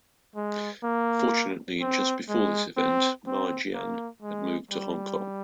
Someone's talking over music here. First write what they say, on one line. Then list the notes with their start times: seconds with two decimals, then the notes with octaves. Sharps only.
Fortunately, just before this event, Ma Jian had moved to Hong Kong.
0.36 G#3
0.83 A#3
1.81 C4
2.29 G#3
2.77 C4
3.26 C4
3.74 A#3
4.22 G#3
4.71 G3